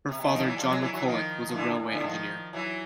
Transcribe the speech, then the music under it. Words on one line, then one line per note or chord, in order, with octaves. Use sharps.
Her father, John McCulloch, was a railway engineer.
C3
B2
D#3 F3
E3 F#3
F3 G3
F#3 G#3
E3 F#3
E3 F#3
D#3 F3
F3
D3 E3
D3
A#2
D3 E3
D#3 F3
E3 F#3